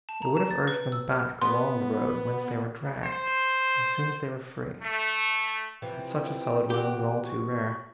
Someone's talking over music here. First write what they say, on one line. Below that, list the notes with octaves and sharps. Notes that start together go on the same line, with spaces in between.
It would have urged them back along the road Whence they were dragged, as soon as they were free; But such a solid will is all too rare.
A5
A#5
E7
A6
B4
E6
F6
B3 C6
C5
A3
C3 E3 F3 G5
F#4 G4
C#6